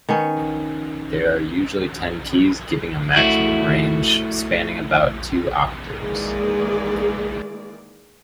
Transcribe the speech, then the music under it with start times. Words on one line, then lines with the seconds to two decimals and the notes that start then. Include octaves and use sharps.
There are usually ten keys, giving a maximum range spanning about two octaves.
0.09 D#3 B3 C#4
3.16 A3 E4 F#4
5.96 D#3 E3 G#3 A#3 G#4 D5